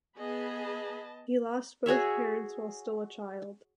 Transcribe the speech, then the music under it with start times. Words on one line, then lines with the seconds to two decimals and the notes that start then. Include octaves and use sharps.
He lost both parents while still a child.
0.18 B3 G#4 D#5 A5 B5
1.86 F#4 G#4 C#5 E5